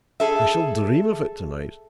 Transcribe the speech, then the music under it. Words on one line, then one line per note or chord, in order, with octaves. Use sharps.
I shall dream of it to-night.
G#4 A4 E5